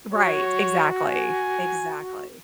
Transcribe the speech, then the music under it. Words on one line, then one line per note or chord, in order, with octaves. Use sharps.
Right. Exactly. Exactly.
F#4 C#5
G#5